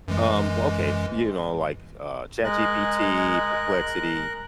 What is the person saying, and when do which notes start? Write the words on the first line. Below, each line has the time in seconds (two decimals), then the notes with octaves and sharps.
Um, well, okay. You know, like, uh, ChatGPT, Perplexity,
0.08 F#2 E3 G#3
2.44 G#3 A#4 F#6